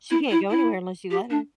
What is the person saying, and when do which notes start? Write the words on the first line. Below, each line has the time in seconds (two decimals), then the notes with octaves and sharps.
she can't go anywhere unless you let her.
0.11 E4
0.31 E4
0.50 E4
1.11 G4
1.30 D4